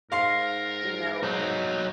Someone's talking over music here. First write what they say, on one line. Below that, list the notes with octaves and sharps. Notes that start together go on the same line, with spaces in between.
you know
G#2 A#4 F5 C6 C7
F#3 C4 D#4